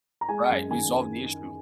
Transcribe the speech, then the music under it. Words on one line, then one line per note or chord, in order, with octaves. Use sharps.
Right, resolved the issue.
A#5
G#3 G#5
F#2
D#3 G#5